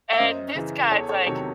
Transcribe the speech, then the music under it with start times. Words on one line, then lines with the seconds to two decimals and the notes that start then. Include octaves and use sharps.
and this guy's, like,
0.13 E5
0.19 F#2 C5 D#5
0.55 C#3 E3
0.91 E2 A4 C#5
1.09 A4 C#5
1.26 C3 D#3 F#3 A4 C#5